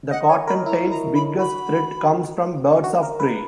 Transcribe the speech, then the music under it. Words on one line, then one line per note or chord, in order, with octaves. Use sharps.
The cottontail's biggest threat comes from birds of prey.
D#5 F#5
C#5 G#5
A#4 B5
E4 A#5
A#5
B5
F#4 B5
F#4
A#4
B4